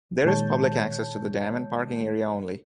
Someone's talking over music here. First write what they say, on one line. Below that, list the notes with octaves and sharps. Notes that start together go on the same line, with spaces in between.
There is public access to the dam and parking area only.
A#2 D#3 G#3 C#5 A5 G6